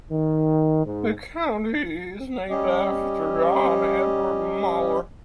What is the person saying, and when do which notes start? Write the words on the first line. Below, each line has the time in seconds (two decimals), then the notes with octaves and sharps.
The county is named after John Edward Mower.
0.11 D#3
0.86 G#2
2.50 G3 C#4 G4 D#5